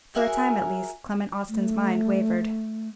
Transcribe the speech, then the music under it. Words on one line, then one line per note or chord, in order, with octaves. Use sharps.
For a time, at least, Clement Austin's mind wavered.
F#4 G#4 A#4 E5 F#5 G#5
A3